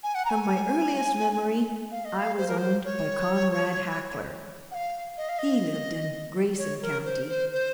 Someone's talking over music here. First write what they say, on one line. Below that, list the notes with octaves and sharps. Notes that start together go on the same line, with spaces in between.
From my earliest memory I was owned by Conrad Hackler; he lived in Grason County.
G#5
F#5
A#5
G#5
F5
D#5
F5
C5
A#4
C5
C#5
F#5
F5
D#5
F5
D#5
C#5
A#4
C5
C5
C5